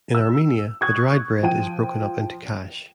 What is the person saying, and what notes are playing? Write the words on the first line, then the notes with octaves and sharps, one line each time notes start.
In Armenia the dried bread is broken up into khash.
E6
C#6 D#6 F#6 G#6
F3 G5 D#7